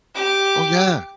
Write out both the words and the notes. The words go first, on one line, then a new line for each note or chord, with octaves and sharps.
Oh yeah.
G4 D6